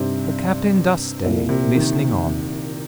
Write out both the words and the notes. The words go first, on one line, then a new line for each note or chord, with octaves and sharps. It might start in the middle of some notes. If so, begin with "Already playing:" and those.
The Captain does stay, listening on.
Already playing: G2 C3 G3 C4 D#4 G4
C2 A#2 A#3
C3
D#3